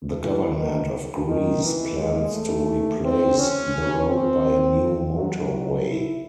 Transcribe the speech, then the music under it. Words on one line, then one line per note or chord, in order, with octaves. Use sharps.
The government of Greece plans to replace the road by a new motorway.
E3
D#3
D#3
E3
G#3
A3
C4
C#4
C4
F#3
F#3
E4